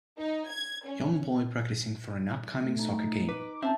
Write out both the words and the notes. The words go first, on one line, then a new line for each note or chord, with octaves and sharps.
Young boy practicing for an upcoming soccer game.
D#4
G#6
C#4
A3
D#4
B4 D6
C4 C#4 D#5 E5 A5 A#5